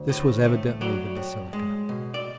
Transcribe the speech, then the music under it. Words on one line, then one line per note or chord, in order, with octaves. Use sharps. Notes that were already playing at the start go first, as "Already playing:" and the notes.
This was evidently the basilica.
Already playing: D2
A2
A3
F#3 D5
A2
G#3
B2
D5